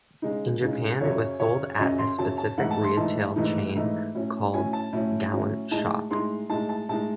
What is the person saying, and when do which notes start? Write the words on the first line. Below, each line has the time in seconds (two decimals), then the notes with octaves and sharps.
In Japan, it was sold at a specific retail chain called "Galant Shop".
0.22 C#3 G#3 D#4
0.62 C#3 G#3 D#4
1.01 F#2 C#3 F#3 C#4 C#5
1.39 F#2 C#3 F#3 C#4 C#5
1.79 F#2 C#3 F#3 C#4 D#5
1.99 C6
2.18 F#2 C#3 F#3 C#4 A5
2.38 A5
2.57 G#2 E3 A3 D#4 F#5
2.71 A5
2.84 C6
2.97 G#2 E3 A3 D#4 A5
3.36 G#2 E3 A3 D#4
3.75 G#2 E3 A3 D#4
4.15 A2 F#3 C#4
4.54 A2 F#3 C#4 G#5
4.73 A5
4.93 A2 F#3 C#4
5.32 A2 F#3 C#4
5.71 A2 G#3 D#4 A5
6.10 A2 G#3 D#4 C6
6.50 A2 G#3 D#4 A5
6.69 A5
6.89 A2 G#3 D#4 A5